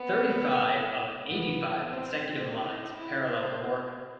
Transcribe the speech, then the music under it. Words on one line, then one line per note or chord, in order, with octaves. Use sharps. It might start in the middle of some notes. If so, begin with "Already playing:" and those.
Thirty-five of eighty-five consecutive lines parallel the work.
Already playing: B3
B3
C4
C4
D#4
E4
C5